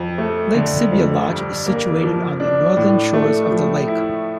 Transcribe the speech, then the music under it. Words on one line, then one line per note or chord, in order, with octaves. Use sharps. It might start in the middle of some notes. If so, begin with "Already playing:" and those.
Lake Sibaya Lodge is situated on the northern shores of the lake.
Already playing: F2
A3
D3
F2
G2
A#3
F3
D4
A2
A3
F3
E4